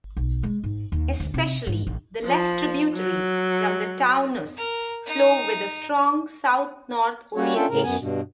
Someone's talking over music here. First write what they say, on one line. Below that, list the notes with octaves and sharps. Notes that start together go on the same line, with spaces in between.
Especially the left tributaries from the Taunus flow with a strong south-north orientation.
B1
G#3
G#2
D#2
D2
C3
G#2
A1
F3
F#3
A#4
D#4
G3 A#3 C#4 F#4 C#5
C#4 D4 F4 A4 E5 G5
A2 C#3 A#4
F#2 B3 G#5
G2 B2